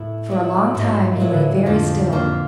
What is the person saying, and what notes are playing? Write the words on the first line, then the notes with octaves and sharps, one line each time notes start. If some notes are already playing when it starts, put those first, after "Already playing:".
For a long time he lay very still.
Already playing: A2 B3 E4
F#3 B3 E4
G#2 F#3 B3 E4
A#2
A2 F#3 B3 E4
D3
F2 F3 A#3 D4 G4 C5
F2 F3 A#3 D4 G4 C5